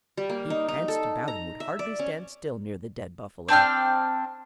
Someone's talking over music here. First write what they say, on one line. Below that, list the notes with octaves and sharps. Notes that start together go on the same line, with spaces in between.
He pranced about and would hardly stand still near the dead buffalo.
G3
A#3
D#4
D#4
A4
A#5
E5
D5
C#4
C4 D4 G5 F6